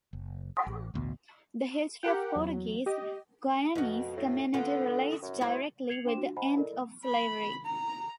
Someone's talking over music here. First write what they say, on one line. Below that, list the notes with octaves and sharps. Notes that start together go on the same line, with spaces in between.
The history of Portuguese Guyanese community relates directly with the end of slavery.
F#1
A1
A1 D2 B2
G4 A#4 F#5 G5
E2 F#3
G4 D#5
F2 B2 F#4
A2
D3 B3 F4
F#2
A2 E4 F#4 C5
G#6 C7 C#7 F7 F#7
D4 C5 G5 C6 D6 E7
D4 F4 F#4
C5 D#5 F#5 G#5 A#5 B5
E4 A4 A#4 D5 D#5
B5
A#5